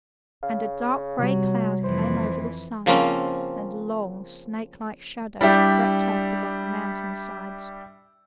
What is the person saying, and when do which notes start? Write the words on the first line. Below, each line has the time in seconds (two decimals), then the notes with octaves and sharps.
And a dark gray cloud came over the sun, and long, snakelike shadows crept up along the mountain sides.
0.43 C#3 F5
1.19 C3 F#3 G3
1.84 F2 E3 C5
2.86 C#3 F3 A#3 C4 C#4
5.41 G3 D4 E4 G4